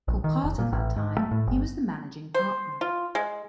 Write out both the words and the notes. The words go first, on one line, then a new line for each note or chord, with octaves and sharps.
For part of that time he was the managing partner.
A#1
D#3
F1
A#2
A1
G#2
A3
A2
G1
C5
F4
G#3